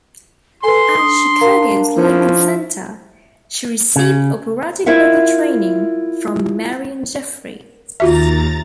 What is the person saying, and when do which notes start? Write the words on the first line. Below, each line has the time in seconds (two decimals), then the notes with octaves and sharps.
At Chicago's Lincoln Center, she received operatic vocal training from Marion Jeffery.
0.64 A4 B4 G#5 C6
0.99 D4 D#6
1.41 A#4 F5 A#5
1.97 F3 C#4 E4
3.96 C#3
4.86 E4 F4 A#4 E5 F#5
8.00 D#2 F4 F#4 E5 A#5 A6